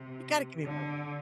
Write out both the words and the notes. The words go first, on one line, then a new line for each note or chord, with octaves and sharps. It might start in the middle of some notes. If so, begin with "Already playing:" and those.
You gotta give me one.
Already playing: C3
D3